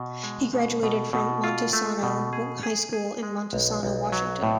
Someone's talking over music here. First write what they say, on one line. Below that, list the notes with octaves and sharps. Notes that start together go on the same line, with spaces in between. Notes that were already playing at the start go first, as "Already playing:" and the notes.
He graduated from Montesano High School in Montesano, Washington.
Already playing: B2
G#3
B2
B2
B2
F4
A3
B2
G#4
G#4
G#4
G#3
B1
B1
F#3
A2